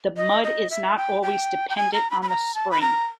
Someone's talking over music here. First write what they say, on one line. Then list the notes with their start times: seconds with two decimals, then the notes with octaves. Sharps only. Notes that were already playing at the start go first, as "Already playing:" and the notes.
The mud is not always dependent on the spring.
0.17 D#5
0.44 D#5
0.70 E5
0.97 G5
1.23 G5
1.70 G5
1.76 G#5
1.93 A#5
2.11 B5
2.22 B5
2.29 A#5
2.55 A5
2.71 B5
2.81 A#5